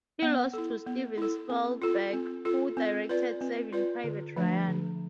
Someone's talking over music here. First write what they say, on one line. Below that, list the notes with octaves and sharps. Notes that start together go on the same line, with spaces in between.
He lost to Steven Spielberg who directed Saving Private Ryan.
B3
E4 A4
B3
E4 A4
C4
F4 A4
C4
F4 A4
C4
F4 B4 D5
C4
F4 B4 D5
D3
F3 A3 D4
D3